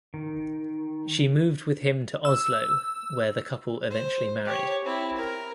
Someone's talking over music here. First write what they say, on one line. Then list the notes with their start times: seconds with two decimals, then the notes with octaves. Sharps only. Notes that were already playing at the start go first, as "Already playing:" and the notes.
She moved with him to Oslo where the couple eventually married.
0.14 D#3
2.25 E6
3.91 C5
4.45 G4 C#5
4.85 C4 E4
5.16 A#4